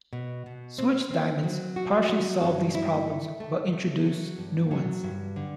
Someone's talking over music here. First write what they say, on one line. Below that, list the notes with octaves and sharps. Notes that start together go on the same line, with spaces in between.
Switched diamonds partially solve these problems, but introduce new ones.
B2
B2
C4
C4
F#3
F#4
F#3
G2
E4
A3
A3
A3
F#3
G2
F#3
G2
D3